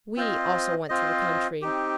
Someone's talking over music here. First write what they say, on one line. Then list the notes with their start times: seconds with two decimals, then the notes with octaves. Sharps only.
We also went to the country.
0.16 C4 F4 C5 D#5
0.89 C4 F4 C5 D#5
1.62 C4 D#4 G4